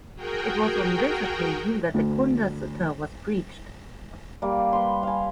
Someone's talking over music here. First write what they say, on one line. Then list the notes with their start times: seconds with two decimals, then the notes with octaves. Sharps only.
It was on this occasion that the Cunda Sutta was preached.
0.16 F#4 G#4 A#4 G5
1.94 D2
4.42 G3 A#3
4.73 B4 C6
5.03 F5 G#5